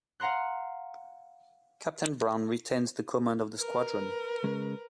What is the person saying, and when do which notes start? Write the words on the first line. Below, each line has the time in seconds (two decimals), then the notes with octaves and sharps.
Captain Brown retained the command of the squadron.
0.20 F5 F#5 A#5 C6 F#6
3.57 A#4 B4
4.44 C#3 G#3